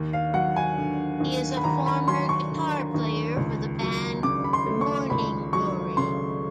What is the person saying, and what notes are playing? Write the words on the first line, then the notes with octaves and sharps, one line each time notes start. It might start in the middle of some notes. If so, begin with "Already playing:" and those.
He is a former guitar player for the band Morning Glory.
Already playing: D#2
F5
F#3 F#5
G#5
D3
D#2
B5
D#2 A#5
B5
F#3 C6
C#6
D3
D#2
C#2
F#3
C#3 D6
B5
C6
A3
C#6
C#2 B5
F#3 C#6
C#3 C6